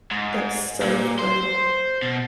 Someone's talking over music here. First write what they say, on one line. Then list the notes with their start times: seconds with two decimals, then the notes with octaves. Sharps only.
That's so funny.
0.11 G#2
0.82 A#2
1.19 C5
2.02 B2